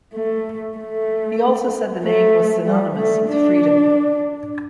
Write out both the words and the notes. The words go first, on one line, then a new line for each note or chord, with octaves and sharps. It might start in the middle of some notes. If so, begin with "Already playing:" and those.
He also said the name was synonymous with "freedom".
A3
A3
A3
G3
A3
D4